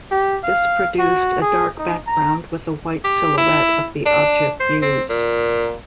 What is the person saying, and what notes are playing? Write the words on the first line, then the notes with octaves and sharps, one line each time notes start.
This produced a dark background with a white silhouette of the object used.
G4
F5
F#4
G#4
D#4
A#5
G4
E4
D4
C5
C4
A#2